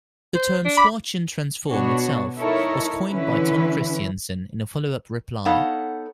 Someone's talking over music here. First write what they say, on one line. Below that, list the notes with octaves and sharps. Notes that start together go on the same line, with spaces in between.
The term "Schwartzian Transform" itself was coined by Tom Christiansen in a follow-up reply.
C5
D4
B5 D6
B2 B3 D4 F#4 C#5
D#4 E4 A4 A#4 C#5
D3 E3 C#4 E4 B4
B3 D#4 A4 C#5 F5 F#5